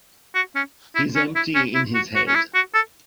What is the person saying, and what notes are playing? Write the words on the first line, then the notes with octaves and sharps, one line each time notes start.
He's empty in his head.
F#4
C#4
E4
C#4
E4
C#4
E4
F#4
F#4
C#4
E4
F#4
A4